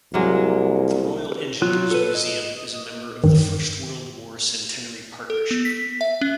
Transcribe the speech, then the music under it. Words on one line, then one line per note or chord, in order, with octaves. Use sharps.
The Royal Engineers Museum is a member of the First World War Centenary Partnership.
C2 F#3 G#3 A#3
F#3 F4 F#6
A4 B4
D#5
G2 D#3
A4
B3
B6
E5
C#4